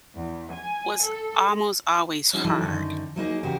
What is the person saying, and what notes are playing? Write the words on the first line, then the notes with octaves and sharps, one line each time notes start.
was almost always hard,
E2
G#5
A4
C#4 D#4 F#4 G#4
E3 F#3 D#4 A4
F#2 D3 D#3
F#3 A#3 D#4 G#4
E2 C#3 F#4 G4 A#4